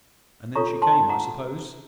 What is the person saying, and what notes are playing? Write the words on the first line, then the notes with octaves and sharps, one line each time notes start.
"And then she came, I suppose."
F4 A4 C#5 A#5 C#6
A5 C6
F#5 A#5